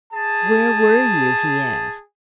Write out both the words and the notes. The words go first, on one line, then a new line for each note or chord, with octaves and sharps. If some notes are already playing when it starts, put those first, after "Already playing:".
"Where were you?" he asked.
G#4 A5